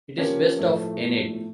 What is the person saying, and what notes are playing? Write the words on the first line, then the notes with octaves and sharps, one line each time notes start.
It is west of Enid.
F3 A#3 C#4 G4 C#5
A2 F3 A3
A2 F3 A3